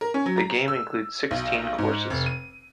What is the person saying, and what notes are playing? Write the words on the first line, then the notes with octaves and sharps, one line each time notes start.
The game includes sixteen courses.
A#4
C#4
F#3
A#5
E6
B1
G#2
F1
D#7